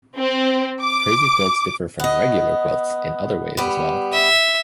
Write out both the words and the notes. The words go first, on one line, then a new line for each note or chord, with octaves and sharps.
Crazy quilts differ from "regular" quilts in other ways as well.
C4
D6
B3 D#5
G3 B3
E5